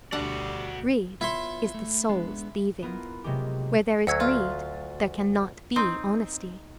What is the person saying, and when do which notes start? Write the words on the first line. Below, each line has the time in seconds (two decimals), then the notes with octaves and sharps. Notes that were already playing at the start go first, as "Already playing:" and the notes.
Greed is the soul's thieving; where there is greed, there can not be honesty.
0.12 D2 B2 G3 D4 F#4 D5 F#5
1.21 B3 E4 F4 C#5 E5 C6
1.74 A3
2.09 G#3 B3 D4
2.82 B3 E4 F4 A#4
3.24 C3 F#3 G#3 A#3 F4 G4
4.07 D2 F#3 F#5 E6 G#6
4.20 F4
5.76 C4 D#4 C6